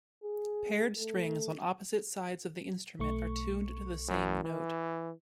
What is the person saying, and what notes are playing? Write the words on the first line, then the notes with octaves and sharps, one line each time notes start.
Paired strings on opposite sides of the instrument are tuned to the same note.
G#4
A3
B1 A3 C#6
F#2
E3